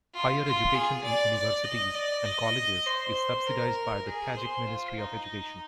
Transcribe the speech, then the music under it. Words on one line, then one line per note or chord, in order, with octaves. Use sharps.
Higher education in universities and colleges is subsidized by the Tajik Ministry of Education.
F4
F4
G#4
D5
D5
D#5
D5
D#5
C5
A#4
G#4
C5
F4
D#4